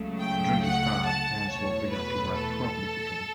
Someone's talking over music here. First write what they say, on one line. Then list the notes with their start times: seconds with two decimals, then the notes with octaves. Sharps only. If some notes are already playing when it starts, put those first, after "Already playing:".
During this time, Ainsworth began to write prolifically.
Already playing: C#2 C#3 F#3 A3
0.19 G5
0.63 F#5
1.06 A5
1.49 E2 B2 A3 C#5
1.92 B4
2.35 A4